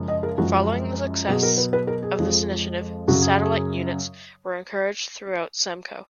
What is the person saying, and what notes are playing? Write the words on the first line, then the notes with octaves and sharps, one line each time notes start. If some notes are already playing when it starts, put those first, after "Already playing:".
Following the success of this initiative, satellite units were encouraged throughout Semco.
Already playing: F#2 C#3 F3 G#3
D#5
A#4
F#2 F3 G#3 F#4
B2 F#3 G#4
A#4
B4
B4
A#4
G#4
F2 F3 G#3
F#2 C#3 F#3 F#4
G#4
G#4